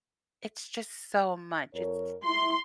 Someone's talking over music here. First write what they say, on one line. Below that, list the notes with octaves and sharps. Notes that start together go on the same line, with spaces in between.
It's just so much. It's
F2 A#4 C#5
E4 C6